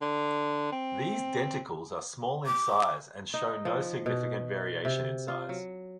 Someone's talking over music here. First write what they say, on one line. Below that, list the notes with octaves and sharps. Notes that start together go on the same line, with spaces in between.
These denticles are small in size and show no significant variation in size.
D3
C4
D6
D#4
F3
B2
C3
F4
F#3